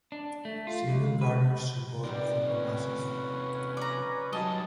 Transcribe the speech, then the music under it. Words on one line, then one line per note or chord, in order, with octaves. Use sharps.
She will garner support from the masses.
D4
A3
F4
C#2
B4
C3 G3 D#4 B4 D5
C#4 F4 B4
D5 A#5
F#3 G3 D#4 D#5 G#5 A5